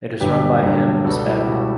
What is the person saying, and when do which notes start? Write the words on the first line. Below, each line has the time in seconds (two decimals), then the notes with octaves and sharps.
It is run by him and his family.
0.20 G1 G2 D3 F#3 G4 B4
0.63 G1 G2 D3 F#3
1.04 C#2 B2 G3 F#4 A4
1.26 E4 G4
1.47 C#2 B2 G3 F#4